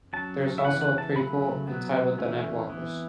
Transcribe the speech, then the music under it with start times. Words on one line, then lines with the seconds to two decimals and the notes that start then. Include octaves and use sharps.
There's also a prequel, entitled the "'NetWalkers".
0.13 F#3 C#4 A5
0.58 E5
0.64 C#3 E3 B3 F#5
0.81 F#5
0.98 A5
1.16 C#3 F#3 A3 B5
1.67 F#3 B3
2.18 E3 A3 C#4
2.69 E3 B3